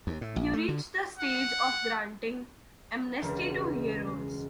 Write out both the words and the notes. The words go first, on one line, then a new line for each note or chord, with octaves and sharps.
You reach the stage of granting amnesty to heroes!
D#2
A2
A#1
A3
D3
F#5
E1 C#2
G#3